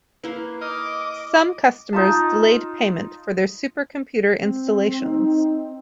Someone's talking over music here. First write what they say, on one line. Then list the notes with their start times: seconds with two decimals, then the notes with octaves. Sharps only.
Some customers delayed payment for their supercomputer installations.
0.24 A#3 E4 B4 C7
0.61 D#5 D6 F6
1.93 D#4 F4 A5
4.40 C4
5.01 D#4